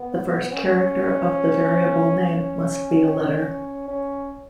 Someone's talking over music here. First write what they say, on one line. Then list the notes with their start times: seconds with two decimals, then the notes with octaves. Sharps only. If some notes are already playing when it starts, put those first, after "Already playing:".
The first character of the variable name must be a letter.
Already playing: B3
0.52 C#4
2.20 C#4
3.88 C#4